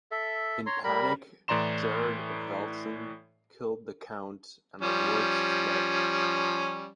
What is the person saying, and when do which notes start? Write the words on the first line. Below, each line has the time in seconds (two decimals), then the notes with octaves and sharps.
In panic Gerard of Velzen killed the count, and the lords fled.
0.11 A4 E5
0.66 C#5 A#5 C6
0.84 G3 A#4 B5
1.48 A2 E3 D5 A#5 C6 E7
4.82 F3 G3 C#4